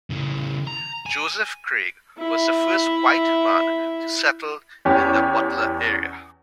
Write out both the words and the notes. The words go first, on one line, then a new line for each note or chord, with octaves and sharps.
Joseph Craig was the first white man to settle in the Butler area.
C#3 E3
A#5
G#5
E4 E5
E2 C#4 G4 C#5